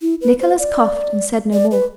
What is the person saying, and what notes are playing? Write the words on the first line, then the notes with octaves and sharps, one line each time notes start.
Nicholas coughed and said no more.
E4
B4
C5
D5
D5
B4